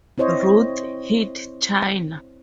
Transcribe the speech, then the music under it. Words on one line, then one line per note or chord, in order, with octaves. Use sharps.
Ruth hit China.
C4 E4 C5 C#5 D#5